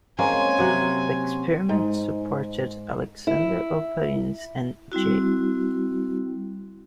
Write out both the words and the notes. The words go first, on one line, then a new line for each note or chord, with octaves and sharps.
The experiment supported Alexander Oparin's and J.
G#3 A#3 C4 C#4 C5 G#5
C3 F#3
G#2
E4
G3 C4 E4 F#4